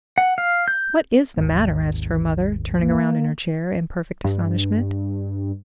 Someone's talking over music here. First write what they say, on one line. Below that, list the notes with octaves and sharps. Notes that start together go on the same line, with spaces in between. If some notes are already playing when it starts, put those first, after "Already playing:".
"What is the matter?" asked her mother, turning around in her chair in perfect astonishment.
F#5
F5
G6
G#1 D#2
A#3
G2